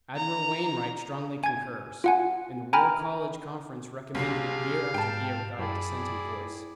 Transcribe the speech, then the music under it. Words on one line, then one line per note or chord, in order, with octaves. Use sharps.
Admiral Wainwright strongly concurs, and the War College Conference recommended it year after year without a dissenting voice.
A#5
G#5 G#6
F4 F#5 G#5
G5 G#5 A#5 B5 F6
B1 C3 G4 G#4 F5 C7
G#2 G5 A5
F#2 E4 G#4 D5